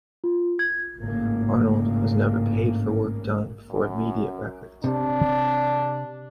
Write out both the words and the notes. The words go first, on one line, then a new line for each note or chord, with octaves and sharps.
Arnold, was never paid for work done for Immediate Records.
F4
G#6
G#1 A2 C#3 A#3
F#2
C3 D4